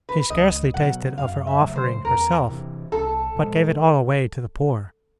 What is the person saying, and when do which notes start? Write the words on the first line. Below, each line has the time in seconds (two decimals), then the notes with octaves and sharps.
She scarcely tasted of her offering herself, but gave it all away to the poor.
0.09 B4
0.30 C#2 D#5
0.74 B2 F#3 F#5
1.18 F#2 F5
1.47 E5
1.61 C#3 F#3 A3
1.76 C5
2.05 E2 A#4
2.48 C3 E3
2.92 C2 A4
3.35 A#2 F3 G#3